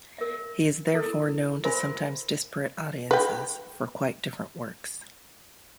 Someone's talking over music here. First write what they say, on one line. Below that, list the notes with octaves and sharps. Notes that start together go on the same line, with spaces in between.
He is therefore known to sometimes disparate audiences for quite different works.
A#4 E5
E4 A4 A#4
A#4 C5 E5 G#5 B5 C6
B4 G5